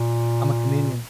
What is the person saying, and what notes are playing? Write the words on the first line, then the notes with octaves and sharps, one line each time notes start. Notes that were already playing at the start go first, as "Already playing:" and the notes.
I'm a comedian.
Already playing: A#2